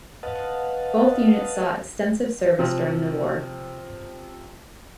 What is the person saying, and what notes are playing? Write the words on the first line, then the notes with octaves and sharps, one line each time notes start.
Both units saw extensive service during the war.
B4 D#5 F5 F#5 A5
C3 F3